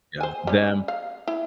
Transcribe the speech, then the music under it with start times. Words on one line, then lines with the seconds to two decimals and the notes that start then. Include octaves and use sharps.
Yeah. Them
0.21 C5 G#5
0.47 G3 C#4
0.88 F5
1.27 E4